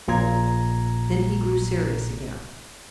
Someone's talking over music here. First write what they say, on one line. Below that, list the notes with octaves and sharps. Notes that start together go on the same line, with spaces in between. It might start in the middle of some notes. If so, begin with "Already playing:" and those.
Then he grew serious again.
A#1 A#2 A#5 G#6